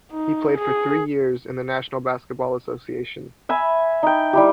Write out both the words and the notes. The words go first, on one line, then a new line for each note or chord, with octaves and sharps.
He played for three years in the National Basketball Association.
D#4
G#4
E5 G#5 B5
D#4 G5
G3 E4 G4